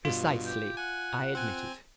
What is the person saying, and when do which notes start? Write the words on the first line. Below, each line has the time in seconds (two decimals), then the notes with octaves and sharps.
"Precisely," I admitted.
0.05 G2 B2 F4
0.45 G4
0.77 F#5 G#5
1.35 C4 G#5